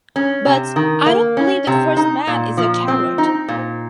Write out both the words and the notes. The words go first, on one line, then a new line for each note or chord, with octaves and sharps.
But I don’t believe the first man is a coward.
C#4
C3
D#3
A#3
C#4
C3
D#4
A#2
F3
C4
D#4
A#2